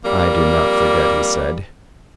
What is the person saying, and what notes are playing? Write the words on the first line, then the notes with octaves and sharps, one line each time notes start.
"I do not forget," he said.
F2 G3 A#3